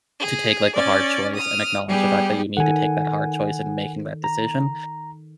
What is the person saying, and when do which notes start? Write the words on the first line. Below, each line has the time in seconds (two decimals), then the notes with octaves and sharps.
to take, like, the hard choice and acknowledge the fact that you need to take that hard choice in making that decision,
0.20 G#4
0.75 C#4 D5 A6
1.35 D#6 F6
1.87 G3 B3 G4 G#4
2.57 D#3 A4 F#5 G#5
4.24 A#5